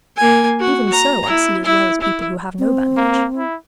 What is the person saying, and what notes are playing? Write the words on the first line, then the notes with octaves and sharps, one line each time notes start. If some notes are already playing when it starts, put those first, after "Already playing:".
Even so I see as well as people who have no bandage.
A#3 G#5
F#4
A#5
E4
E4
E4
C4
A#3
E4